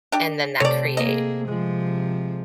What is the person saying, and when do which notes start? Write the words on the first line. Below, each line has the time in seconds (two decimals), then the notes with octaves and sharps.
and then that create
0.12 D4 G4
0.60 C3 A3 A4 C#5 D5
0.97 A#3 G#4 D#5
1.48 C3 F3 G#3